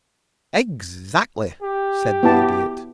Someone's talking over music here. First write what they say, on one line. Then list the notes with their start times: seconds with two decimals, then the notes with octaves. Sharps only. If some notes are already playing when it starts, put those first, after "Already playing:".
"Exactly," said the Idiot.
1.63 G4
2.23 B3 E4 A5